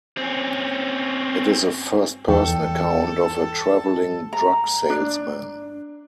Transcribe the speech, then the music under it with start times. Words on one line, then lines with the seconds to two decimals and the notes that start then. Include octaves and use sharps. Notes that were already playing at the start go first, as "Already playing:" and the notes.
It is a first-person account of a travelling drug salesman.
0.17 C4 C#4
2.29 E2 A4 G5
4.33 A#5
4.90 D4